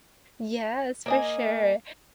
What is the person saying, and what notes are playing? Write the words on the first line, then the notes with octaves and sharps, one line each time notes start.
Yes, for sure,
A#3 D#5 G#5